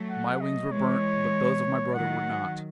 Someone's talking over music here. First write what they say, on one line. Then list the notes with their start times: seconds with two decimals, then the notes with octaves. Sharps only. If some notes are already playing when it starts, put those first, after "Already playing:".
My wings were burnt, but those of my brother were not....
Already playing: F#3 A3
0.10 F#5
0.41 D#5
0.71 E3 G#3 C#5
1.94 D#3 F#3 F#5